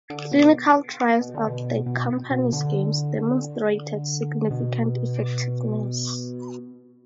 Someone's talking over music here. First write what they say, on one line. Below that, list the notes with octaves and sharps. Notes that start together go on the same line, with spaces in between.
Clinical trials of the company's games demonstrated significant effectiveness.
D3
B2
B2
D3
B2
B2
B2
D3
D3
B2